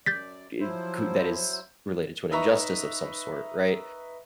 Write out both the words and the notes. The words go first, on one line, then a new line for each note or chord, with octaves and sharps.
it cou that is related to an injustice of some sort, right?
F#2 D5 G6 A6 B6
F3 F#3 E4 C5
D#4 B4 E5 A#5 C#6